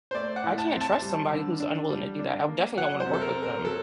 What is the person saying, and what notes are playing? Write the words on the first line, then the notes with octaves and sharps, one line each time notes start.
I can't trust somebody who's unwilling to do that, I definitely don't wanna work with them.
C5
A3 D5
F#5
A2
A5
C4
A5
G3
D3
D4
G3
D4
A#3
F#3 F#5
C5
C3
A4
A#4
C4
A#4
F#3 A4